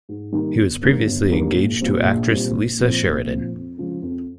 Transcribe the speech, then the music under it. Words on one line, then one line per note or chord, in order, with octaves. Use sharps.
He was previously engaged to actress Lisa Sheridan.
G#2
D#3 G3 A#3 D#4
G1
G2 D#3 G3 A#3
G1
G2 D#3 G3 A#3
A#1
A#2 G3 C4
A#1
A#2 G3 C4
A#1
A#2 F3 C4
A#1
A#2 F3 C4
F2
C#3 F3 G#3
F2